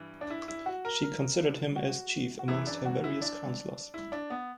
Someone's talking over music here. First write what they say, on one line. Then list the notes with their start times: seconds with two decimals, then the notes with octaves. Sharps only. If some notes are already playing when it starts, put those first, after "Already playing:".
She considered him as chief amongst her various counselors.
Already playing: G2 E3
0.21 D4
0.30 E4
0.48 E4
0.66 F#4
0.85 A#4
1.03 A#4
1.76 F#4
2.39 F#4
2.48 F#2 C#3 E3 E4
2.67 D4
2.86 F#4
3.04 E4
3.22 D4
3.94 E4
4.12 D4
4.30 B3